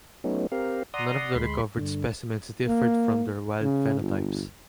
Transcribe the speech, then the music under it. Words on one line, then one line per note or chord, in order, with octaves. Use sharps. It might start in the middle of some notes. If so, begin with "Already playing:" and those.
None of the recovered specimens differed from their wild phenotypes.
F#3 A3 B3 C#4 D#4
C4 G4 A#4 F5
D5 F#5 A#5 C6 D#6
D2 G#3 B5 C6
G2 D3
A#3
C#3
G1